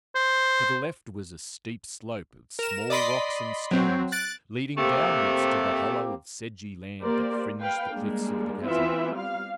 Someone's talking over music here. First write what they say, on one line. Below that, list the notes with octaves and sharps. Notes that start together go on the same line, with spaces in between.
To the left was a steep slope of small rocks and stones, leading downwards to the hollow of sedgy land that fringed the cliffs of the chasm.
C5
A#4 E7
D5 D#5 B5 C6
F#3 C4
F#6 A6 D7
C3 A3 A#3 C4 G4
A#3 G4 A#4 C5 D5
B4 F5 G5
G3 G#3 A#3 D4
E3 B3 C4 E4 F4 E5
G3 F5